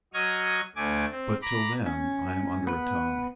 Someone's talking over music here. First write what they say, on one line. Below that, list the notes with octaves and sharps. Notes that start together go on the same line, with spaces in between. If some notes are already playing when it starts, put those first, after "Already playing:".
But, till then, I am under a tie.
F#3 D#5 C#6 D#6 F6 G#6
D2 A3 G#5 D6
C4
A#5 B5 D6
C#4
B3 B4